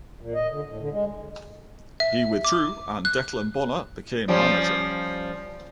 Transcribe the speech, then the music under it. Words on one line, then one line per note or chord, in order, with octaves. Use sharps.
He withdrew and Declan Bonner became manager.
A#2
D#5
D3
A2
D3
G#3
E5
D6
F#6
F3 G3 C#4